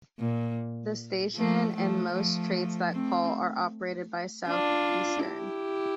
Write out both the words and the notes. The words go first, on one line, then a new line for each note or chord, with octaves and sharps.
The station and most trains that call are operated by Southeastern.
A#2
F3 A3
F3 A3
F3 A3
A3 C4
D4 F4
E4 G4